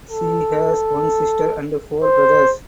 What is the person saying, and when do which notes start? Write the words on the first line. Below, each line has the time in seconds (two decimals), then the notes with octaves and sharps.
She has one sister and four brothers.
0.11 A4
2.03 C5